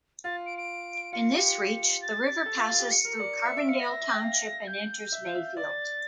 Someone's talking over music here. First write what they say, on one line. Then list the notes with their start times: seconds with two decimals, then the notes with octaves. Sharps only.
In this reach, the river passes through Carbondale Township and enters Mayfield.
0.24 F4 A6
0.46 D7
0.57 D7
1.13 F4 C#7
1.35 G4
2.01 A6
2.46 A4
2.57 F4
2.69 F4
2.79 G4
2.91 C#7
3.05 A#4
3.19 D5
3.45 E5
3.57 E5 D7
3.67 F5 C#7
3.79 E5 A#6
3.89 E5
4.01 E5
4.12 G5
4.23 F5
4.67 G6
5.12 E5
5.26 F5
5.34 E5
5.56 D5 A6